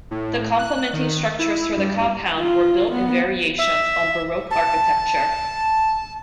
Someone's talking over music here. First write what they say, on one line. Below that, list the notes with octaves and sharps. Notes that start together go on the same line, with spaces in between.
The complementing structures for the compound were built in variations on Baroque architecture.
A2
F#6
D#3
E4
G2
F4
B3
E5
A5